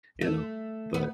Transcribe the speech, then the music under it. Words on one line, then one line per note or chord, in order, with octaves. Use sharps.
you know, but
A3
B3